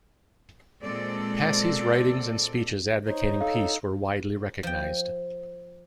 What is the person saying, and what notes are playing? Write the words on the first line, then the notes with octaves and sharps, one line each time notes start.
Passy's writings and speeches advocating peace were widely recognized.
A#2 G#3 C4 A4 D5
D#4 C5 C#5
A4 F5
F3 G5